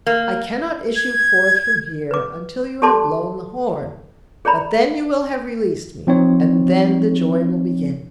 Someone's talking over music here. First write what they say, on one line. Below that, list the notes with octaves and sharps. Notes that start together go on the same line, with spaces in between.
I cannot issue forth from here until you have blown the horn; but then you will have released me, and then the Joy will begin.
A#3
G#6
B4 D6
G4 A4 D5 A5 C6 D6
G#4 C#5 D5 A#5 B5
F3 C4 D#4 C#5